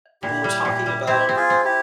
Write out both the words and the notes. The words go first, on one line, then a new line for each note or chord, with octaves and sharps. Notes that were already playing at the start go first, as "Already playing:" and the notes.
when we're talking about
A#2 E4 G4
G3
A#2
G3
C4 E4 G4
C4 G4
F4 G#4
C4
E4 G4